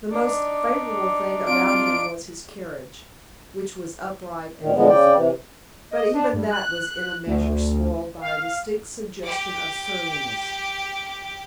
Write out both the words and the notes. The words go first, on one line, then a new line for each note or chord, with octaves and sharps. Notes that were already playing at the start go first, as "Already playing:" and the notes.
The most favorable thing about him was his carriage, which was upright and easy, but even that was in a measure spoiled by a distinct suggestion of surliness.
D4 D#4 D5
C4 F4 D7
D2 A#2 D#3
D2 A#2 D3 F3 G#3 B3
C#3 D5 G5
C3 E3
D#5
D4
G2
F#6
D2
F5
G4 D6